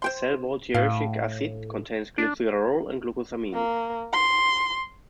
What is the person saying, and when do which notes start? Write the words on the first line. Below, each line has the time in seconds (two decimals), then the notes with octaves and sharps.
The cell wall teichoic acid contains glycerol and glucosamine.
0.02 C5 G5 C6
0.74 A2 F5
2.18 D4
3.53 A#3
4.13 C6